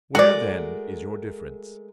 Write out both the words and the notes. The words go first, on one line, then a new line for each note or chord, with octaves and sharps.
Where, then, is your difference?
G#3 A3 F#4 A#4 D5